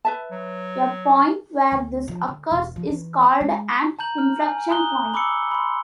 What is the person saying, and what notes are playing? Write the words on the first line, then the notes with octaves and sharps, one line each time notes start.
A point where this occurs is called an inflection point.
B4 E5 A5
F#3
D2
F3
D3
E1
F3
E3
G#3
A5 A#5 G6 F#7
F6
G#5
A#5 D#6 F#6 G7
B5 D6 E6 C#7
B5 C6